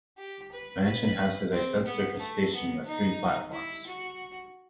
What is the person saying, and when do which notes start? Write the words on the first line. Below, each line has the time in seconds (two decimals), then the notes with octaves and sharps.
Mansion House is a sub-surface station with three platforms.
0.18 G4
0.52 B4
0.84 B4
1.52 C4
1.86 B3
2.19 A3
2.53 B3
2.85 D#4
3.52 E4
3.86 F#4